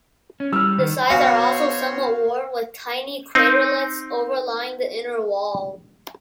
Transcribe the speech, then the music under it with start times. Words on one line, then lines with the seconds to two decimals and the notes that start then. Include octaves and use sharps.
The sides are also somewhat worn, with some tiny craterlets overlying the inner wall.
0.40 C#4
0.53 G3 E6 F6
0.78 D#3
1.10 B2 F#4 C5 C#5 F5
3.35 C4 D#4